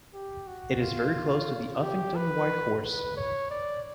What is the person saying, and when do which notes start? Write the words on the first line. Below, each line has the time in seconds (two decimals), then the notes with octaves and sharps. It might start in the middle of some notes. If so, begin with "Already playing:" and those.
It is very close to the Uffington White Horse.
0.14 G4
0.47 F#4
0.81 F4
1.82 G4
2.16 B4
2.84 B4
3.17 C#5
3.50 D5